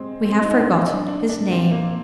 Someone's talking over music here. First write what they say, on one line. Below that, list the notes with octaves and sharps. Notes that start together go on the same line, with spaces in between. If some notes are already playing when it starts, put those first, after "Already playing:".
We have forgotten his name.
Already playing: G#3 C4
C4
D#4
D4
C4
D4
D4
D4
C4
A#3